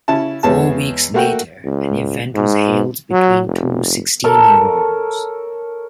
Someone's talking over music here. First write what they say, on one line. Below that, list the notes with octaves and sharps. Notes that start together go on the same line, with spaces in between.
Four weeks later, an event was held between two sixteen-year-olds.
C#3 C#4 E4 A5
E2 G#3 B3 C#5 A5
A3 A#3 F#4 F#5 G5
C#2
G#2
F#3
F1
A4 A#4 C#5 A5